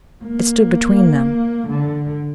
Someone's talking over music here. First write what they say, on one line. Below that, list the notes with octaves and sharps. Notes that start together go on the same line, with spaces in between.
It stood between them.
A#3
D3